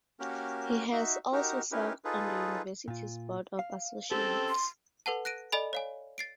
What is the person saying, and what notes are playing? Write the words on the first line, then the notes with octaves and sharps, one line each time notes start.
He has also served on the university's Board of Associates.
A#3 C#4 F#4 G4 A#4
D#4 F#4 E5
D#4 F#4 G4 A#4
C#4 D#4 E4 G4 A#4 B4
D#4 F4 G#4 A4 B4
A#2 F4
F5
C4 C#4 G4 A4
C6
A4 B4 F#5 A5
F#6 A#6 D7 D#7
A4 D5 D#5 G#5 B5
C#5 F5 G#5
A6 C7 D7